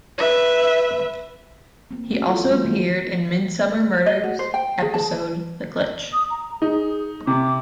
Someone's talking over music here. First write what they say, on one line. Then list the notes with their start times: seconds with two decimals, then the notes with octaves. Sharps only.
He also appeared in the "Midsomer Murders" episode "The Glitch".
0.18 B4 E5
1.91 A#3 C4
2.10 G#3 C4 C#4 F#4
2.29 E4 F4 A4
2.49 F3 G3 A3 C5
2.65 E3 A#3 B3
4.06 D#5
4.24 F#4
4.39 C5
4.54 G5
4.82 G#4
4.94 A5
6.13 D#6
6.30 A#5
6.62 D#4 G#4
7.27 C3 D6